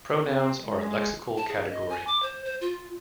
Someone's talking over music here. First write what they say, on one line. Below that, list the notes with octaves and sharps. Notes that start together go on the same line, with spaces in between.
Pronouns are a "lexical category".
C4
G#3
A5
G#4
D#5
G#5
D6
C5
C5
F4